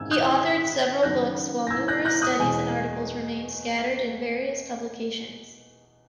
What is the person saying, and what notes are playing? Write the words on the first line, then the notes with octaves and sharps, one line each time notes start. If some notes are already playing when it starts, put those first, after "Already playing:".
He authored several books, while numerous studies and articles remained scattered in various publications.
Already playing: G#1 F#2 D#3 G#3 E6 G#6
D#6 F#6
F#1 F#2 D#3 F#3 F#6 A#6
A#6
E6 G#6
F#6 A#6
F#6 A#6
D#6 F#6
E2 B2 G#3 G#5